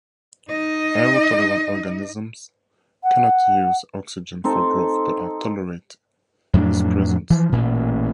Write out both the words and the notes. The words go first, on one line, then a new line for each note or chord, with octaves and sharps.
Aerotolerant organisms cannot use oxygen for growth but are tolerate its presence.
D#4 D#5
F#5
C4 D#4 A4
F2 A2 F#3 D4
E3 F3
A1 A#2